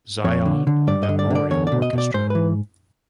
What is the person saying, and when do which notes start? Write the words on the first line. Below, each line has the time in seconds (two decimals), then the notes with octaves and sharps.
Zion Memorial Orchestra.
0.24 F2 C#5
0.46 D3
0.67 D3
0.87 G2 D5
1.03 D#5
1.09 D3
1.19 D5
1.30 D3 D5
1.51 E2 C#5
1.67 B2 D5
1.82 D#5
1.93 B2 D5
2.14 G#2 C5
2.30 E3 B4